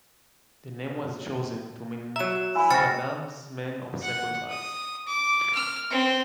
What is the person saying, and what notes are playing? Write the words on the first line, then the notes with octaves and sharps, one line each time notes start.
The name was chosen to mean "Saddam's Men of Sacrifice".
F#3 E5 A#5 E7
E4 G#5 E6
C#3 F#4 C5 G5 F6 A6 C#7
F#5
D#6
D6
F6
C4